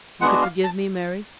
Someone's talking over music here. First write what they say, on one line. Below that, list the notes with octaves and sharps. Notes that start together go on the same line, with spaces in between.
"You could forgive me, Mary?"
G#3 B3 D4 F#4 F#5
F5
A5